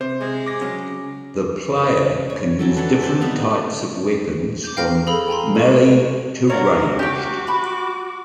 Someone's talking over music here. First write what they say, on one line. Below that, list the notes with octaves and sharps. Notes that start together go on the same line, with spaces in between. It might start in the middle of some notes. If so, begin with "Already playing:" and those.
The player can use different types of weapons from melee to ranged.
C3 C5
C3 G#3
D6 A#6
C#3 F#3 C#4
C#5
E3 F#3 A4
D4 A4 B4 C#5
C4 B4 D5
G3 B3 D#4 F5
D6 G6
F5 G5 F6 A#6
G#4 A4 F5 B5 E6
G5 G#5 A#5 C6
A4 C#6
A#4 C#5 D5 F#5
F#4 G4 G5 D6
B5